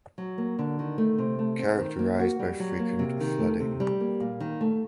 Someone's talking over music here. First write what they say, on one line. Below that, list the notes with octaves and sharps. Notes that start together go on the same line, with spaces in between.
Characterized by frequent flooding.
F#3
A#3
D3
D#3
A3
C3
A3
C4
D#3
A#3
F#4
G3
F#3
A#3
C3
D#3
A3
C3
G3
A#3
A#2
D#3
A3